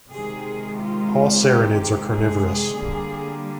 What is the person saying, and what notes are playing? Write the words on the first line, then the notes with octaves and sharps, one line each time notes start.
All serranids are carnivorous.
C3 D#3 G#3 G#4
F4
G4
G#4
D3 G3 A#3